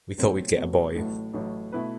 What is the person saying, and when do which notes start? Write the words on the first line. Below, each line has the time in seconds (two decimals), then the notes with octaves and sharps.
We thought we’d get a boy.
0.18 B2 F#3 A3 C4
0.57 B2 F#3 A3 C4
0.95 A1 A2 F#3 A3
1.34 A1 A2 F#3 A3
1.72 B2 A3 E4 B4